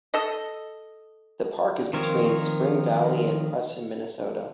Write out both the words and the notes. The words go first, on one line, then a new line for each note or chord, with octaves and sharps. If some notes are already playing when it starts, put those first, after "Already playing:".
The park is between Spring Valley and Preston, Minnesota.
A4 D#5
D#3 F3 C4 A#4 C#5